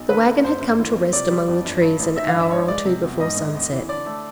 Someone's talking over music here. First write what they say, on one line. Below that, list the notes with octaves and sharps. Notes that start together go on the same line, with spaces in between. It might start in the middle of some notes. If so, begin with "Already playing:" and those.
The wagon had come to rest among the trees an hour or two before sunset.
Already playing: B1
D3 B4
A#3
F#2 C5
G1
E3
C4
C3 D5
G3
F2
G1
G2
A1
D#3 E5
F5
G2
E5
G#2 C#5
G#3 D5
C3
E2
G#2 D#5
A#1
E2
E3
D3 D5
A3